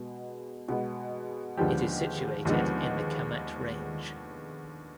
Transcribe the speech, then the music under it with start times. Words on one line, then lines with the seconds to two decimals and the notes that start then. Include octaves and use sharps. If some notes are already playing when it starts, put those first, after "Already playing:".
It is situated in the Kamet range.
Already playing: B2 G#3 B3
0.68 B2 G#3 B3
1.57 D#2 D3 F3 G#3 B3 G4
2.45 D#2 D3 F3 G#3 B3